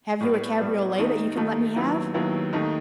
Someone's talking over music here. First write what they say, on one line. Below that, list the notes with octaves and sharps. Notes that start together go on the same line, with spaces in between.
"Have you a cabriolet that you can let me have?"
A2 G3 B3
A2 G3 B3
D#2 D#3 A3 D#4
D#2 D#3 A3 D#4
D#2 D#3 F#3 B3 E4
D#2 D#3 F#3 B3 E4
D#2 D#3 A3 D#4